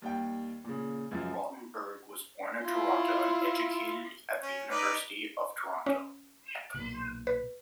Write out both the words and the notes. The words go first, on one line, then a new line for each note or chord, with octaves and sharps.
Rotenberg was born in Toronto, and educated at the University of Toronto.
D#2 G3 G5
A#2 C#3
C#2 F#2 F3
E4 F4
C#4
D#4 B4 D5
C#4
B1 A#2
B4